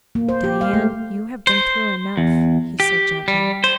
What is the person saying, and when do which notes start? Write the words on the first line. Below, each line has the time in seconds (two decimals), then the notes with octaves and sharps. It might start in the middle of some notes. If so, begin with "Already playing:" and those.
"Diane, you have been through enough," he said gently.
0.15 A#3
0.29 C5
0.44 G4
0.61 F5
0.74 A3
1.47 C5
2.17 E2
2.80 G4
3.28 G3
3.64 C5